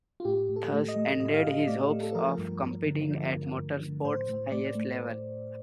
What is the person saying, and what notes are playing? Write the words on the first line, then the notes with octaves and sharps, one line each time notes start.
Thus ended his hopes of competing at motor sport's highest level.
F4
A2 G4
A2
A4
A3
D#5
A3
A2 D#5
F5
A2 D#5
A3 D5
A3
A4
F3 A#4
G2
G2
D3
F3
G2
G2
D3
A2 C5
A2
A3 D5
A3